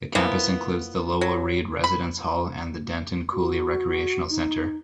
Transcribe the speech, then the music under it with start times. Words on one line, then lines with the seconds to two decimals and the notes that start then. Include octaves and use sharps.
The campus includes the Lowell Reed Residence Hall and the Denton Cooley Recreational Center.
0.15 E3 F3 A#3 B3
1.21 F#3
1.84 B5
3.33 F#4
4.30 D#4